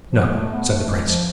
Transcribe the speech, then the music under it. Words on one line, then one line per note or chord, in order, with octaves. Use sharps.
'No,' said the Prince.
F3
G#3
A3
B3
A3
A3
G#3
F3